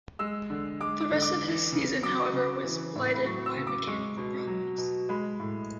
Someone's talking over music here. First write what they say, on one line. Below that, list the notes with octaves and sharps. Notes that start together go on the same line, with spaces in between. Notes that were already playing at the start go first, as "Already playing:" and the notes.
The rest of his season, however, was blighted by mechanical problems.
G#3 E6
D3
G#3 D6
D6
D3
D6
E3
C#3
F#3 D6
C#3
E3
A2
B5
F#3 C#6
E6
C#3
D6
G#3 C#6
B2
F#3
B2
G#3 B5
A2